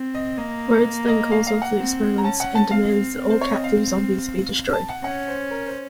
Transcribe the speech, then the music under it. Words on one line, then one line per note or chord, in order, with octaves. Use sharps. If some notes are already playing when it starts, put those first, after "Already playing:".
Rhodes then calls off the experiments and demands that all captive zombies be destroyed.
Already playing: C4
D#5
A#3 D#5
D#5
F5
F5
F#5
C4
A#5
C#4 A5
F#5
A5
C4 F5
C4
C5
C#5
D#5
F5
A5
F#5
C#4 F#5
C5
A#4
C5